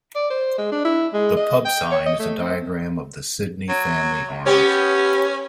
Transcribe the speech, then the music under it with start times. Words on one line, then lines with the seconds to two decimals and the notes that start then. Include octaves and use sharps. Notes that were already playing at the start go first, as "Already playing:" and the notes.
The pub sign is a diagram of the Sydney family arms.
0.15 D5
0.30 C5
0.58 G#3
0.71 D4
0.85 E4
1.13 G#3
1.36 D#5
1.65 G5
1.91 C#5
2.06 D#5
2.19 A3
2.41 C4
3.69 F#3
4.46 B3 C#4 G4 C#5